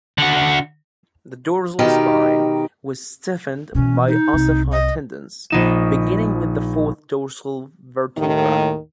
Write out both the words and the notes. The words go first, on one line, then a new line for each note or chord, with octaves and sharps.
The dorsal spine was stiffened by ossified tendons, beginning with the fourth dorsal vertebra.
D3 F#4
B2 D#3 D#4 G4 A#4
B2 E3 C#4
D#4
C2
D#5
A#1 D#4 E7
D#2 A2 D#3